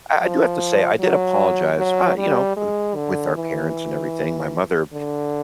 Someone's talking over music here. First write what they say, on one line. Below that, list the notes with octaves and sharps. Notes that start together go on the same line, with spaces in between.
I I do have to say, I did apologize, uh, you know, eh, with our parents and everything. My mother
F3
F#3
F#3
G3
G#3
D3
E3
D3